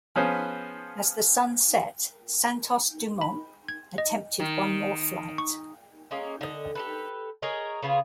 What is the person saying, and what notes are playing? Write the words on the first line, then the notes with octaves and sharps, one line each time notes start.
As the sun set, Santos-Dumont attempted one more flight.
F3 B3 C#4 G#4 B4 C5
B5
G#6
D#5
D#3
C#6
G#3 A#3 C#4
D3 D#5
G4 A4 B4
G#4 A#4 C#5 D#5
C#3 B3 F4 G#4